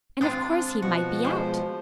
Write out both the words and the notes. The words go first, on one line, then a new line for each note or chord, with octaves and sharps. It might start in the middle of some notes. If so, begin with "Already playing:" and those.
And of course, he might be out.
G#3 C4 D4 F4
B2 F3 F#4
G#3 C5